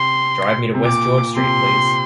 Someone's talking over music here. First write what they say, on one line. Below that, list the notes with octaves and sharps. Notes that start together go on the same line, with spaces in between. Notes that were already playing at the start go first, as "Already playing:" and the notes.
Drive me to West George Street please.
Already playing: C3 C6
C3
A#2 D6
C3 C6